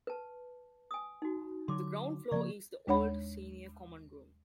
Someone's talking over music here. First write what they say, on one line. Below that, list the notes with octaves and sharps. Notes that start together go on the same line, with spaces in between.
The ground floor is the Old Senior Common Room.
B4 A5
G#5 D#6
D#4 F#4
D3 F#3 C6 D6
C#3 F3 A#3 D5 C#6
D#2 G#3 D4 C#5 F#5 B5